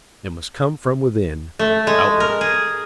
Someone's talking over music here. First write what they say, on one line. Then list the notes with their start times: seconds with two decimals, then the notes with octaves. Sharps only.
It must come from within, outward.
1.59 A3
1.87 G#3
2.20 A#4
2.41 G#4